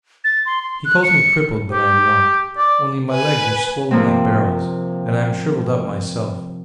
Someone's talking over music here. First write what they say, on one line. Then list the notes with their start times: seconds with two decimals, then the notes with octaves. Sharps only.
He calls me crippled, but I am not, only my legs are swollen like barrels, and I am shriveled up myself.
0.24 A6
0.46 C6
0.62 C6
0.85 F#6
1.03 C#7
1.71 G4
2.57 D5
3.11 B4 G#5
3.91 C3 F3 A#3 C4